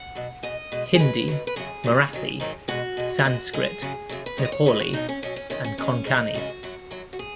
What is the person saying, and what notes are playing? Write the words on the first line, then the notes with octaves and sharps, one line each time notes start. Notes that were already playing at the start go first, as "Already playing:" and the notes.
Hindi, Marathi, Sanskrit, Nepali and Konkani.
Already playing: F#5
B2 F#3
B2 G#3 D#5
B2 G#3
G#4
G#2 F#3 B4
G#2 F#3
B4
F#2 C#3 F#3 G#4
F#2 C#3 F#3
G#2 D#3 F#3
G#2 D#3 F#3
B2 G#3 F#4
B2 G#3
G#4
G#2 G#3 F#4
G#2 G#3 G#4
F#2 C#3 F#3
F#2 C#3 F#3
B4
F#2 D#3 G#3 C#5
D#5
C#5
F#2 D#3 G#3 B4
F#4
B2 F#3 D#4
C#4
B2 F#3 C#4
C#4
F#2 D#3 G#3 C#4
C#4
F#2 D#3 G#3 C#4
F#2 C#3 G#3 D#4
F#2 C#3 G#3 F#4
F#2 F#3
F#2 F#3
F#4
G#4